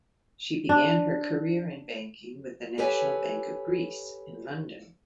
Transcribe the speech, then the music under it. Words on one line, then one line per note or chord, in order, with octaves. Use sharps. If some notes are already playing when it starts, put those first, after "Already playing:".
She began her career in banking with the National Bank of Greece in London.
D4
G4 A4 B4 C#5 G#5